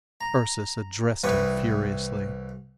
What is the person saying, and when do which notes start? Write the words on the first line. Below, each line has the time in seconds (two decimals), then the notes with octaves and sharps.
Ursus addressed him furiously.
0.21 A#5
1.24 C2 E3 G3 B4 C#6 D#6